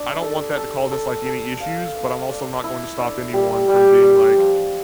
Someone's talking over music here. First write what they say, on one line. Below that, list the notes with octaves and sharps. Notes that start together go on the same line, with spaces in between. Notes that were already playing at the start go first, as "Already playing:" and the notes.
I don't want that to cause us, like, any issues, but I'm also not going to stop anyone from being like,
Already playing: D4
A4
A4
A4
A4
F5
F5
D5
E4
D4
G3
G3
D4
F3